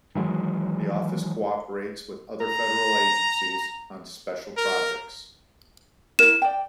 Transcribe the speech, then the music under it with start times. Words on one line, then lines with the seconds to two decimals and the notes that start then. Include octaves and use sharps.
The office cooperates with other federal agencies on special projects.
0.15 D#3 E3 F#3 G#3
2.42 A#5
4.57 A#4
6.19 E4 A#4 E7
6.42 D5 G5